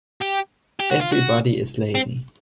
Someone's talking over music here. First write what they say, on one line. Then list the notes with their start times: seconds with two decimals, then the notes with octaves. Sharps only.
Everybody is lazy!
0.22 G4
0.80 G4
0.91 F#4
1.01 F4
1.12 F#4
1.95 C4